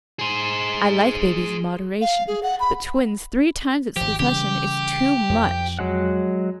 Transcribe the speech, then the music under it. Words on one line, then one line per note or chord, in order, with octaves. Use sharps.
I like babies in moderation, but twins three times in succession is TOO MUCH.
G#4 C5
F5
G#4
F#5
B5
G#1 F3 G4
C#3 E3 G3 G4
F2 F3
F#3 G#3 F#5